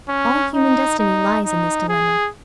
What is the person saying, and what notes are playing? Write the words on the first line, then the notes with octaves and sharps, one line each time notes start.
All human destiny lies in this dilemma.
C#4
D#4
D#4
D#4
G#4